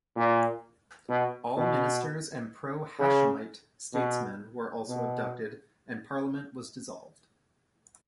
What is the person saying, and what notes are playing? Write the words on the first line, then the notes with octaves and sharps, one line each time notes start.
All ministers and pro-Hashemite statesmen were also abducted, and Parliament was dissolved.
A#2
B2
B2
C#3
B2
B2